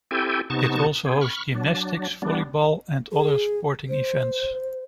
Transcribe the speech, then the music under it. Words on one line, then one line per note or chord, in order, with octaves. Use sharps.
It also hosts gymnastics, volleyball, and other sporting events.
C4 E4 G4 A4 G5 G#5
C3 B3 D#4 A5 C#6
C4 G#4
B5 C#6 F6
F#3 D4
G3 B3 D4
G#4
C5